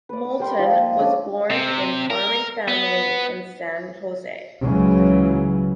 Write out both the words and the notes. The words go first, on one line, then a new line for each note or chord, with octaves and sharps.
Moulton was born in farming family in San Jose.
B4 D5
B4
G3 A#4 G5 C6
F3 F4 E5
A#3 G#5
A3 C#4 D4 D#5
C3
A#4
B3
C#2 C#3 E3 F#3